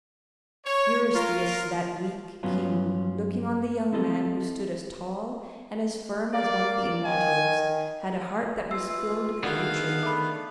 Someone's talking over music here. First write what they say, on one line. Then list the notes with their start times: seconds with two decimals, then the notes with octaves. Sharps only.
Eurystheus, that weak king, looking on the young man who stood as tall and as firm as one of the immortals, had a heart that was filled with hatred.
0.65 C#5
1.14 F4 A#4
2.43 G2 F#3 B3 C#4 F4
3.93 C4 E4 A4 D#5
6.34 A#3 D5
7.05 D#3 G#5
8.71 E3 F4 E6 C7
9.43 D3 D#3 B3 F#4 G#4 F5
10.03 A3 B5 D6